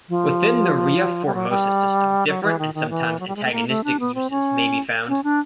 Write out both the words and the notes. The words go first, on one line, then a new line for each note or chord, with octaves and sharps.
Within the Ria Formosa system, different and sometimes antagonistic uses may be found.
F3
G3
F#3
G3
F#3
E3
D#3
D#3
E3
F#3
G3
G#3
A3
A#3
A3
D4
B3
C4
C#4
C#4
D4